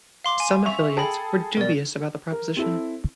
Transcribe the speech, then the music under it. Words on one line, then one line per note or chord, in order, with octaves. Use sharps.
Some affiliates were dubious about the proposition.
F5 C6 D6
G#5
E5 C#6 F7
G#4 A4 G5 B5
B2 A#4 D5
A#4
C4 E4 A4